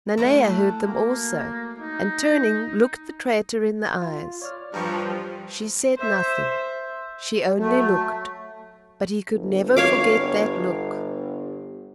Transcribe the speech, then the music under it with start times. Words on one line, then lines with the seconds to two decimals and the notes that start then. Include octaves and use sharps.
Nanea heard them also, and turning, looked the traitor in the eyes; she said nothing, she only looked, but he could never forget that look.
0.18 F#3 A3 E4
0.80 A#3
1.80 D#4
4.02 F4
4.42 C#5 D5 F6
4.74 G2 F3 A#5 C#6
5.97 C5 E5
7.58 F#3 A3
9.31 G1
9.77 C#5 F5 D6